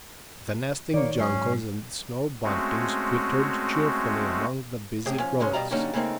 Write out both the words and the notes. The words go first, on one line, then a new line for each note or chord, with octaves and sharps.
The nesting juncos and snow-buntings twittered cheerfully among the busy growths.
D#3 A#3 C#5 D5
G#2 F#3 C#4 C7
G#3 A3 C4 C#4 F#4
A2 C3 G4 G#4
F3 C#4
C2 G#2 G#3 C#4 C6
B2 G3 D5 D#5 F5 A#5
D3 F#3 G3 A#3 C#4 D#4
C#3 A3 A#3 C4 D#4